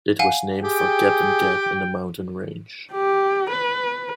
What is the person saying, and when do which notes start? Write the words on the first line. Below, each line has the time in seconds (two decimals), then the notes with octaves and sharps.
It was named for Capitan Gap in the mountain range.
0.19 F5 F#5 G#5
0.64 G4 G#4 G5
2.92 G4
3.51 B4